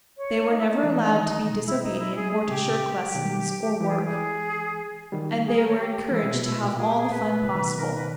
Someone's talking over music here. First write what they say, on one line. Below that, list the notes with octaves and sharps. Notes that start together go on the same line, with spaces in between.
They were never allowed to be disobedient or to shirk lessons or work; and they were encouraged to have all the fun possible.
C#5
D#4
E4
D#4
E3 G#3
D#3 G3
B2
E4
D#4
E4
G#4
G#4
A#2 C#3 G4
B2 D#3
E3 G#3 G4
G#4
G4
G#4
D#3 G3
G#4
A#4
C#5
G4
E3 G#3 E4
B2
B2
A#2 E4
A#2 G4
A#2 G#4
G4
G#4
B4
A#2 C#3
B2 D#3
B2 D#3 A#4
B4